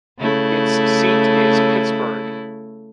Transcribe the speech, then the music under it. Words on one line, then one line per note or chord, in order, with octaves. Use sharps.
Its seat is Pittsburg.
C#3 A3 E4